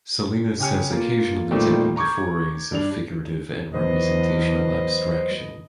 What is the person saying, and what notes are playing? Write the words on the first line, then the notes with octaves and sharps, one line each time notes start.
Salinas has occasionally taken to forays of figurative and representational abstraction.
C#3 G4 G#5 F6 C#7
A#3 F4
A#2 D#3 G3 A3 A#3 C4
A#5 C#6 D6 G6 G#6
G2 D4 F7
E2 F#3 B4 C5 D#5